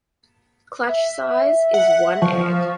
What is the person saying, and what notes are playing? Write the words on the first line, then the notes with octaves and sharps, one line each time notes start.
Clutch size is one egg.
E5
F#5
F3 C#6